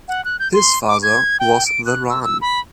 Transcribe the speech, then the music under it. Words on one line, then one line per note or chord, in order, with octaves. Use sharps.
His father was the Ran.
F#5
F#6
G6
C6
D6
G#6
G5
D7
F#6
E6
E6
B5